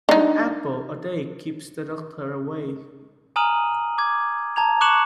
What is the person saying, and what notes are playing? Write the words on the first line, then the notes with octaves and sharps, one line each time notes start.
An apple a day keeps the doctor away.
D4 D#4
G#5 A#5 D#6 F6 D#7 F#7
D6 G#6
A5 A#5 G#6 F7
C#6 D6 F#6 C#7 E7 F#7